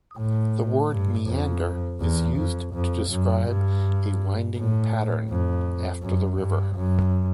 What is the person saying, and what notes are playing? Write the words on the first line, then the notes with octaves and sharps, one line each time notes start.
The word "meander" is used to describe a winding pattern, after the river.
A2
G2
F2
E2
F2
F2
F#2
G2
A2
F2
F#2
G2
F#2